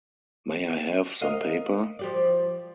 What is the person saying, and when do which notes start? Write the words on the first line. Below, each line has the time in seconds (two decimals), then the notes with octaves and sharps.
May I have some paper?
1.21 A#4 D#5 F5
1.99 F3 G4 D5